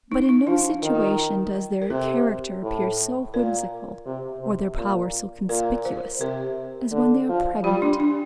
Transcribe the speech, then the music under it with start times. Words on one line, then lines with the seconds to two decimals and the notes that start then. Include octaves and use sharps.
But, in no situation does their character appear so whimsical, or their power so conspicuous, as when they are pregnant.
0.12 D#4
0.29 D#4
0.47 F3 D4
0.83 D#3
0.95 F4
1.82 A#4
1.90 C3 A4
2.63 A2
3.34 A#2 A#4
4.06 C3
4.41 C3
4.77 A#2
5.48 A#2 A#4
5.85 C5
6.20 C3 A#4
6.92 D3
7.29 F3
7.64 G3 F4
7.82 D4
8.00 D4